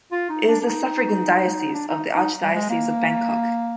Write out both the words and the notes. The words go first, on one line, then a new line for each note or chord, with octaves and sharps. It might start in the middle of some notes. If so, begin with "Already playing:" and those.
It is a suffragan diocese of the Archdiocese of Bangkok.
F4
D#4
D4
D4
D#4
D4
D#4
D#4
G3
G#3
A#3